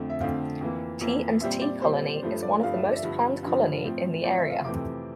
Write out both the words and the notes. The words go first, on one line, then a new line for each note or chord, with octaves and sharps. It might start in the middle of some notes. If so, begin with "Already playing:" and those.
T and T colony is one of the most planned colony in the area.
Already playing: F2 D3 A3 C4
E5
F2 D3 A3 C4 F5
F2 E3 A#3
F2 E3 A#3
A#2 G3 C4 E5
D5
A#2 G3 C4 C5
G2 F3 A3 C5
D5
G2 F3 A3 F5
E5
D5
E5
G2 D3 F3
G2 D3 F3
A2 F3 C4
A2 F3 C4 D5
E5
F5
F2 C3 E3 A3 C4 D6